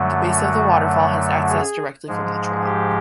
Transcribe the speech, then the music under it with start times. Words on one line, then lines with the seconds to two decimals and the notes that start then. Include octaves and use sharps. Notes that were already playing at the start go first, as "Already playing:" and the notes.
The base of the waterfall has access directly from the trail.
Already playing: F#2 D3 F#3 A3
0.31 F#4
1.49 G#4
2.07 G#2 F3 G#3
2.66 G4